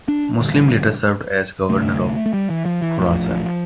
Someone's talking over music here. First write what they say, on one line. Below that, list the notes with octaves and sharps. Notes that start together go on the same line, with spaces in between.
Muslim later served as governor of Khurasan.
D4
A1 G2 D3
D2 C3 A3
A3
G3
E3
F3
E3
A#1 A2 F3